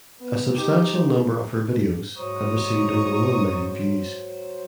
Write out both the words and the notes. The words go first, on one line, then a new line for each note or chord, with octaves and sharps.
A substantial number of her videos have received over one million views.
B3
D#4 G4
G#2 F#3 C5 A#5 C#6 D#6